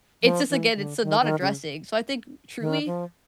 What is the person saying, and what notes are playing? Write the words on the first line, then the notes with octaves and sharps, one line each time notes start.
it's just, again, it's, eh, not addressing so, I think truly,
F3
E3
D3
D#3
D#3
C#3
D#3
F3